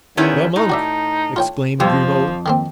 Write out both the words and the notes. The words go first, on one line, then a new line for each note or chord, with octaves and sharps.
"The monk!" exclaimed Grimaud.
E2 D#3 C#4 E4
A2 D#4
F#4 D5 E5
F4 C#5 G5
F2 F3 G3
D#3 A#3 C4